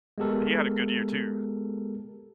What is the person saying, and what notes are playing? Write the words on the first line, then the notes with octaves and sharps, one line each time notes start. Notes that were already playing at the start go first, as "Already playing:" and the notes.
he had a good year too.
G#3 B3 G4 A4 A#4